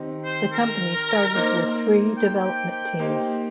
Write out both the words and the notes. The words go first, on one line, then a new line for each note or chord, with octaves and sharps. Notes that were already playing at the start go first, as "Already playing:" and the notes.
The company started with three development teams.
Already playing: D#3 C4 D#4 G4
C5
A#4
A#3 D#4 C5
G5
G5
G5
A#3 D#4 G4 C5